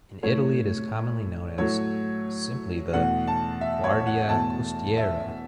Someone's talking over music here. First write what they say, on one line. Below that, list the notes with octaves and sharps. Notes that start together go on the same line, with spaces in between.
In Italy, it is commonly known as simply the "Guardia costiera".
A2 A3 C#5
A2 F#3 A3 C#5
E2 B2 A3 F#5
A5
E5
C#5
F#5
E2 B2 A3 A5
E5